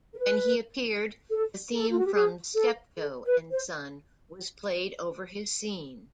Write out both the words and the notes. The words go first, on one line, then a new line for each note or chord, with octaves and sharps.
When he appeared, the theme from "Steptoe and Son" was played over his scene.
A#4
B4
A4
A4
F4
F#4
G4
G#4
A4
A4
B4
C5